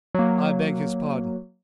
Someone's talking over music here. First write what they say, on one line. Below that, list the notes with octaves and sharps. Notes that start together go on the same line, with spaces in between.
I beg his pardon.
F#3 A#3